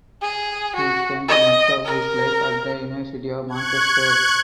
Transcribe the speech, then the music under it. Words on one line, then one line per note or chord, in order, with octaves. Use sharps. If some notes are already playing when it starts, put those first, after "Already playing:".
He spent much of his life at the University of Manchester.
G#4
F#4
D#5
A#4
C#6 F#6 G#6